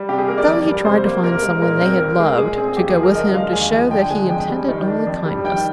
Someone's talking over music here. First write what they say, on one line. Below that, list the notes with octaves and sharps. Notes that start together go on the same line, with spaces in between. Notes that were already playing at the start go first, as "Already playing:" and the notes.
So he tried to find some one they had loved to go with him to show that he intended only kindness.
Already playing: G3
C3 G4
G#4
A#3 A#4
D5
F2
G3
C3 C5
A#3
C2 A#4
G#3
A#2 A#4
C4 A#4
C2 A#4
G#3 G#4
A#2 G#4
C4 G#4
G#4
D#2 G4
G#4
F3
A#4
D3 D#5
G#3 F5
D#2 G#5
F3 G#5
D3 G5
G#3 G#5
F2 G5
G3
D#3
D4
F2
G3
D#3 G5